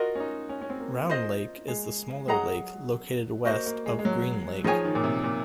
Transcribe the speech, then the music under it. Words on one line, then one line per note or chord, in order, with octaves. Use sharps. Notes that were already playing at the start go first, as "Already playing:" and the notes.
Round Lake is the smaller lake located west of Green Lake.
Already playing: F4 F#4 A#4 D#5
C#4
D#4
C#4
C#4
C4
A#3
F4 C5 D#5
G#3
F#3 G#4 D#5 F#5 A#5
A#3 F#4 C5 D#5
A#3
G#3
G#3
F#3
F3 D#4 G#4 C#5 G#5
D#3
A#2
C3
A#2